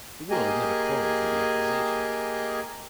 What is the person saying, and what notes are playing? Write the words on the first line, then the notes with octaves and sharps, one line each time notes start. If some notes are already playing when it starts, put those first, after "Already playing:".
The world never quarrels with the accusation.
A#3 G4 G#4 D#5 G#5